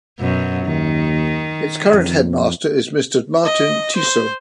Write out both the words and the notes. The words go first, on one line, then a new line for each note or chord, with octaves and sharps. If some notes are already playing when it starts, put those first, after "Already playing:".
Its current Headmaster is Mr Martin Tissot.
F#2 B2
D#2 D#3
F2
D#5
C5